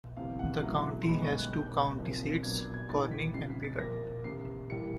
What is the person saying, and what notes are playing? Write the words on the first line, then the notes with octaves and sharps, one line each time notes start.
The county has two county seats, Corning and Piggott.
F#1 E2 C3 F5
F#5
E2 C#3 F#3 A3
C6
G1 F#2 D#3 G#3 B3 B5
C#6
F#6
E1 D#2 D#3 G6
F#1 F2 C3 F3 A#3
A#2 F#3 B3 D4 G#6
G#6
G#6
A1 G#2 D#3 A6
B6
G1 F2 C#3 C7
B6
A6
A#1 A#2 F3 A#3 A#6
F1 E2 C#3 E3 C7
A#1 A2 E3 G3 A#3 C#7